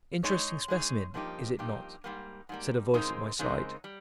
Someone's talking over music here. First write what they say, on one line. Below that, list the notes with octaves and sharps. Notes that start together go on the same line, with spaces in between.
"Interesting specimen, is it not?" said a voice at my side.
G#3 D#4 G#4 C#5
G#3 D#4 G#4 C#5
G2 F3 A#3 D#4 G4
G2 F3 A#3 D#4 G4
G#2 G3 A#3
G#2 G3 A#3
C#3 G#3 C4 D#4 A#4
C#3 G#3 C4 D#4 A#4
G3